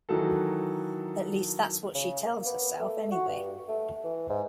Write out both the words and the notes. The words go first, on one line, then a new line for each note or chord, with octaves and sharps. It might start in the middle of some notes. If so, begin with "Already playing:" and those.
At least that's what she tells herself anyway.
D#3 E3 F#3 D#4 F#4 A4
C#3
A#3
B3
A3
F#4
G2
A3
E3
G#2